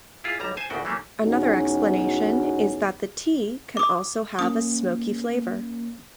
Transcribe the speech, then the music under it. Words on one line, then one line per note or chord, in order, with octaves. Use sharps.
Another explanation is that the tea can also have a smoky flavor.
E4 F4 G#4
B1 G3 A5 A#5
C5 G#5 A5
G#1 D2 C#3 F#4 G5
E3 F#3 A3 A#3 C#4
E2 B2 C#4 D#4 F#4
D6 D#6
A#3 C#4 D#6